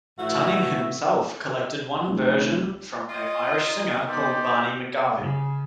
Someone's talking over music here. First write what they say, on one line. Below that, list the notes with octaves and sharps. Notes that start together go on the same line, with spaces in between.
Tunney himself collected one version from an Irish singer called Barney McGarvey.
A2 E3 F#4 E5
F1
F4 D#5
A#4
B3 D#4 G4 C5 D5
C#3